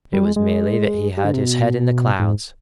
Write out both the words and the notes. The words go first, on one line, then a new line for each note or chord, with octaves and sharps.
It was merely that he had his head in the clouds.
G3
G#3
G#3
G3
D3
C3
B2
G#2